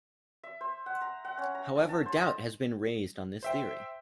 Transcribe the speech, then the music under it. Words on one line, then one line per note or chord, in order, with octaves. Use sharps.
However doubt has been raised on this theory.
E5
C5
F#5
A#5
F#5
C#4
A#5
A4
A5
C5
D#5
C5 E5 G5